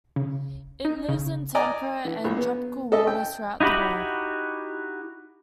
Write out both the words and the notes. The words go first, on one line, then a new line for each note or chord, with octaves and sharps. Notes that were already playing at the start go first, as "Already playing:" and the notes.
It lives in temperate and tropical waters throughout the world.
C#3
D#4
C#3
D5 D#5 G#5 A#5 D6
E3
A#1
B3
A4 D#5 E5
G5
D#4 E4 F#4 G4 B5